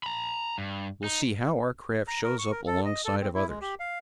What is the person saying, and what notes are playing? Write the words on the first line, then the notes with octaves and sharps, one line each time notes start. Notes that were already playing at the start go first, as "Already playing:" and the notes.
We'll see how our craft shows up alongside of others.
A#5 B5
G2
D#4
A#5
A#4
C#6
A#4
A4
D#5
A4
C4
E4
G#3
G4
F5